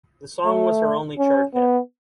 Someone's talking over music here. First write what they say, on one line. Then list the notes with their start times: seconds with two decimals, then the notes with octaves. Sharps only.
The song was her only chart hit.
0.45 A3
1.18 C#4
1.54 B3